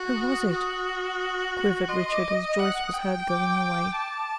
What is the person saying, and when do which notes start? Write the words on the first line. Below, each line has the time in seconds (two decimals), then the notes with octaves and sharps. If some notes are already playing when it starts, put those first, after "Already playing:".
"Who was it?" quivered Richard, as Joyce was heard going away.
Already playing: F#4
0.16 D#6
0.51 F#4
1.89 D#5 C6
2.13 D6
2.35 D#6
2.59 F#5
2.93 G5
3.28 D6
3.97 A5